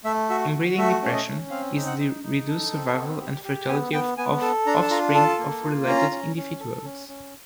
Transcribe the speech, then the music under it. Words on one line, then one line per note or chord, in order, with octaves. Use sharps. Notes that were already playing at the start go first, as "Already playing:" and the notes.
Inbreeding depression is the reduced survival and fertility of offspring of related individuals.
A3 E5
F#4 E5
F#4
A3 E5
C#4 D5
D#5
C#4
C4 F5
D#4
F#5
D#4
D#4
A4
C4
B3
G4
G4
B3 G#5
B3 G5
B3 G#5
A4 A5
D4 A#5
A5
F4 A#5
A4 A5
A#3
F4
C#4 A#5
C#4
C#4
A4
C#4
C#4